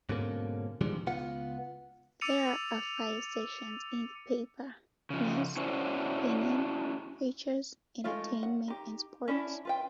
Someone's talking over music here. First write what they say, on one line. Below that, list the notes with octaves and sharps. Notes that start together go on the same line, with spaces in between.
There are five sections in the paper: news, opinion, features, entertainment, and sports.
G#2 B2 D3 A#3 C#4
B2 D#3 F3 G3 G#3 D4
C#2 B3 F4 F#5
D6 E6 A6 C#7 D#7 F7
C#3 F3
C#4 D4 E4 F#4 C5 C#5
G#3 A3 D#4 F4
F#5
D#4 G4
C#4 D4 E4
F4 B4 G5